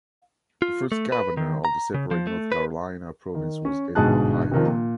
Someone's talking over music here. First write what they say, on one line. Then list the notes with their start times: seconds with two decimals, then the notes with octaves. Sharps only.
The first Governor of the separate North Carolina Province was Edward Hyde.
0.62 F4
0.92 A3
1.12 B4
1.37 D#3
1.65 A#5
1.94 C#3
2.11 F3
2.27 A3
2.52 B4
3.35 D#3
3.65 C#4
3.95 G1 G#2 B2 G#4 A5 F#6
4.52 C3 D#3 F3
4.66 A#2